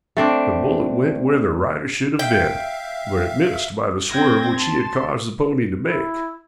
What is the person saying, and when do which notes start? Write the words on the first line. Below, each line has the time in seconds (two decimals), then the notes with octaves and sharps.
The bullet went where the rider should have been, but it missed by the swerve which he had caused the pony to make.
0.17 A3 C4 D4
2.19 E5 F5 G5
4.10 C4 G5 G6 G#6 A#6
4.57 A5 C6
5.82 E4